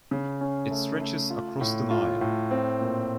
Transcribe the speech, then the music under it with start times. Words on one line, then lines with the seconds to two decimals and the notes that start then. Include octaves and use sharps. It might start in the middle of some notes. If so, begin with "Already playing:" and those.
It stretches across the Nile.
0.11 C#3
0.41 C#4
0.71 A3
1.01 A3
1.30 F4
1.61 A2
1.91 F4
2.21 A2
2.51 C4
2.81 A#2